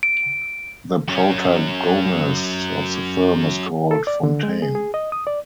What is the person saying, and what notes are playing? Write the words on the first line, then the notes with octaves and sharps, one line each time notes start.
The protagonist of the film is called Fontaine.
D7
F#3 C#4
A4
D5
D3
G#3
G#4
G#4
D#5
D#6
D5